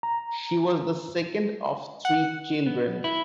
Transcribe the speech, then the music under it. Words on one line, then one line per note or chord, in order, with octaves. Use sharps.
She was the second of three children.
A#5
F#5
B3
E4